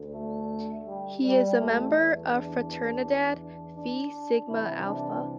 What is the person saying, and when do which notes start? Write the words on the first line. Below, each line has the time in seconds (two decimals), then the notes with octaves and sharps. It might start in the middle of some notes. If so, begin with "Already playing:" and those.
He is a member of Fraternidad Fi Sigma Alfa.
Already playing: D2 D3
0.14 A3
0.87 G3
1.23 G3
1.60 E2 E3 A3
2.32 D4
3.77 D4
4.49 C2 C3 E3 E4
4.86 D4